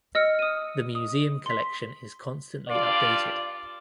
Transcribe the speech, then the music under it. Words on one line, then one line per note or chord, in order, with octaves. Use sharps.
The museum collection is constantly updated.
D#5 E6 F6 C#7
D#6 D#7
D#6
C6 B6
G2 F4 D5